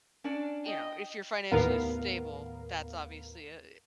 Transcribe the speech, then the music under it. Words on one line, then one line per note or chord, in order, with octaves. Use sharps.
you know, if you're financially stable, that's obviously a
C#4 D4 D5
D#5 G5
D#2 A2 B3 A#4 F5